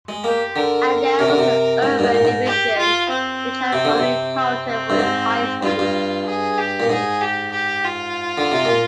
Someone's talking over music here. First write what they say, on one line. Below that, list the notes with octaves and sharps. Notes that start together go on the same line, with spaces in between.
And there was the urban division which had only Carlton for its high school.
G#3
A#3 G4
D3 A#4
C3
D3
C3
G#2
G2
G#2
A#2
G#2
G4
F4
C4
C3
D3
C3
C4
C4
G2
G#2
G2 F4
G2
G#4
G4
A#2
G#2 G#4
G4
G4
F4
D3
C3
A#2